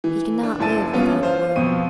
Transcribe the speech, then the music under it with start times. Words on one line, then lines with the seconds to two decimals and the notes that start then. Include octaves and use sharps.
He cannot live without a world.
0.04 E3
0.43 D4
0.60 F#1 E4 A5 A6 D#7
0.93 G2 B3 C#4 F4
1.23 C5 F5
1.56 F2 B2 D#7